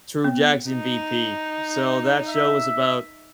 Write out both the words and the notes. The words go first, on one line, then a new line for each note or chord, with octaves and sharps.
True Jackson, VP, so that show is about
B3
D#4
E5